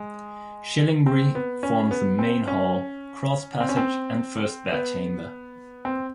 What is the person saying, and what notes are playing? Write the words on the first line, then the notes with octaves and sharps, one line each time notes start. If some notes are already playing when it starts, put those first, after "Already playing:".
Shillingbury forms the main hall, cross passage and first bedchamber.
Already playing: G#3
C4
B3
C#4
B3
C4
C#4
C4
C#4
C4
B3
C4